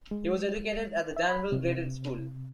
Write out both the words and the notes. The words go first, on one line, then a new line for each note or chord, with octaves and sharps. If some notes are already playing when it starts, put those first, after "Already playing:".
He was educated at the Danville Graded School.
G#3
E5
B5
C3